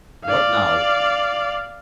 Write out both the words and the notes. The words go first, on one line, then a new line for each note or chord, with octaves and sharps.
"What now?"
D5 F5